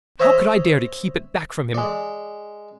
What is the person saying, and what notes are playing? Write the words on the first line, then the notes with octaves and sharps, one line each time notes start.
How could I dare to keep it back from him?
C5 C#5 D#5 E5 A#5
G#3 D5